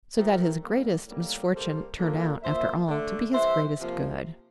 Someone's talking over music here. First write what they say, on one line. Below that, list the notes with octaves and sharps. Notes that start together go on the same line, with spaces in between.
So that his greatest misfortune turned out, after all, to be his greatest good.
C3 F3 A3 G4 A#4
D3 G3 A#3
A2 G3 A#3
C3 G3 A#3 A4 C5
D3 F3 A#3
A#2 F3 A#3 C5 E5
D3 A3
C3 E3 G3 C5 E5
C3 F3 A#3